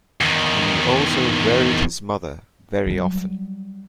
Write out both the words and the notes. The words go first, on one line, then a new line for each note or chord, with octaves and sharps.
He also wearied his mother very often.
E2 D#3
F#3 G3